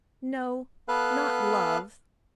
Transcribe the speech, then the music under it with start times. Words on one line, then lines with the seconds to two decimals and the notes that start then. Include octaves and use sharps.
No: not love.
0.88 B3 A4 B4 F5 F#6